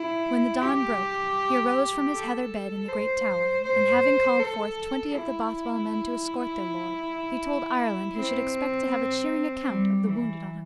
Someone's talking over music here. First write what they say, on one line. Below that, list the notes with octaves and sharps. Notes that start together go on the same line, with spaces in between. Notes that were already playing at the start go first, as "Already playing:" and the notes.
When the dawn broke, he arose from his heather bed in the great tower; and having called forth twenty of the Bothwell men to escort their lord, he told Ireland he should expect to have a cheering account of the wounded on his return.
Already playing: E4
G4
A4
C5
C5
A4
E4
C4
G3
E3